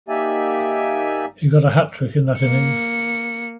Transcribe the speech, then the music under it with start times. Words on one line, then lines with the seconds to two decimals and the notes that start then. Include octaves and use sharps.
He got a hatrick in that innings.
0.09 A#3 D#4 G4 D5 E5 G#5
2.38 A#3 C#7